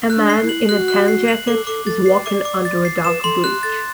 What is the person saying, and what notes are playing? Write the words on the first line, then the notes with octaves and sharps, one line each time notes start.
A man in a tan jacket is walking under a dark bridge.
F#6
D4
C7
E4
F#7
F#4 G4 F#6
F#6
C7
F#7
A4 D6
A4 D6
A4 A6
B4 C7
D5 E5 D6
D6
A6
C7
B4 E7
A4 C6
G4 F#6
A4 A6